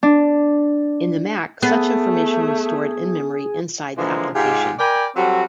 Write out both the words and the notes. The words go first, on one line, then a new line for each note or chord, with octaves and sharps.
In the Mac such information was stored in memory inside the application.
D4
A3 B3 G#4
D3 E3 F3 G#3 A#3
G#2 G#3 F4 G4
A#4 D5 G5 G#5 B5
F#3 G3 C4 F#4 A4